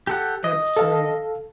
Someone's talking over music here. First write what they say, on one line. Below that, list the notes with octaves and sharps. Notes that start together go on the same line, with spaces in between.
That's true.
G4 A4 F#5
D#5
A4 F5 A5